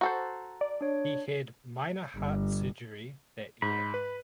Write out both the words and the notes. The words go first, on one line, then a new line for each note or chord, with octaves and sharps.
He had minor heart surgery that year.
F#4 A4 C5 A#5
D5
D4 C#5
G1
G#2 B5
B4